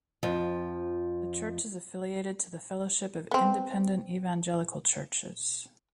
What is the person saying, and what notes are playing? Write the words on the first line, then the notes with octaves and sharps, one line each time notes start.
The church is affiliated to the Fellowship of Independent Evangelical Churches.
F2 F3
B3 C4